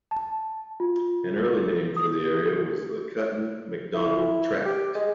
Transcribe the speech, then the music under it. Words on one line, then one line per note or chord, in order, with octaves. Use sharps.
An early name for the area was the Cutten-McDonald Tract.
A5
F4
D#6
G4
E4
G4
G#3